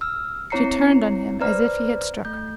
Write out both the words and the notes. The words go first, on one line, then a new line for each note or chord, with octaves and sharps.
She turned on him as if he had struck her.
E6 F6
C4 E4 C#5 A#5 C7 C#7
B4 C5 D5 A#5 F6
A3 G6